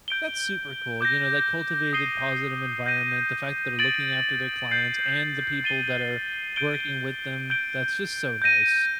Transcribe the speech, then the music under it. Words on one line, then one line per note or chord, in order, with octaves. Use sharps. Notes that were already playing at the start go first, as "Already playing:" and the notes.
That's super cool. You know, that cultivated positive environment, the fact that are looking after their clients and the people that are working with them. That's just so nice.
G6 D7 G7
D6 G6 A#6
D#6 G6 C7 D#7 G7
G6 A#6 D#7
A6 D7 F#7
G6 C7 F#7
A6 C7 D#7 G7
G6 D7 G7
G6 D7 G7
G6 A#6 D#7